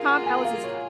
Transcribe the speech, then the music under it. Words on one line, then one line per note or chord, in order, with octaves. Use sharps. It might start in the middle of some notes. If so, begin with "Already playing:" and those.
Tom Ellis is h
Already playing: A#3 F4 G#4 F5
F#5
G#5
F5
C#5